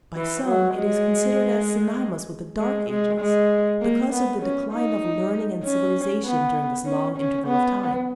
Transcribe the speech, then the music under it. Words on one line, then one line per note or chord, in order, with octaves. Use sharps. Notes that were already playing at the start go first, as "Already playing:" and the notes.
By some it is considered as synonymous with the Dark Ages, because of the decline of learning and civilization during this long interval of time.
E3
F#3
G#3
G#3
G#3
G#3
A#3
B3
C#4
D#4
C#4
B3
C#4
C#4
B3